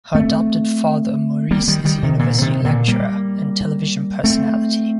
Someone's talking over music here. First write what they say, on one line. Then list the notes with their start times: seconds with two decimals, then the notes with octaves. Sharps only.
Her adoptive father, Maurice, is a university lecturer and television personality.
0.14 A3 C4
1.51 G3 A#3
1.68 D#3 G3
1.85 D#3 G3
2.03 C3 D#3
2.19 A#2 D3
2.42 C3 D#3
2.65 A#2 D3
2.88 G3 A#3
4.24 A3 C4